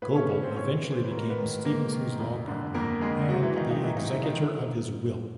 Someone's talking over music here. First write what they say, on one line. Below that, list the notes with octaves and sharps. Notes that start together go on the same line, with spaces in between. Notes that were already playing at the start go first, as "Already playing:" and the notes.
Goebel eventually became Stevenson's law partner and the executor of his will.
A2 B3 B4
C#4 C#5
E3 C#4 C#5
C4 C5
A2 C#4 C#5
E3
C5
B4
G#2
A#4
B3 B4
D#3
G#2 A#3 A#4
D#3
F2
D3
F2 A#3 A#4
D3 G#3 G#4
G#2 F#3 F#4
E3 E4
D#3 D#4
D#3 D#4
G#2 E3 E4
D#3 D#4
D#3 E3 E4
D#3 D#4